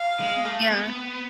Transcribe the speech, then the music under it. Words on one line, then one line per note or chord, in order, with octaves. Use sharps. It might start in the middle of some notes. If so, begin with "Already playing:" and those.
Hmm, yeah.
Already playing: F5
G#3
A3
B3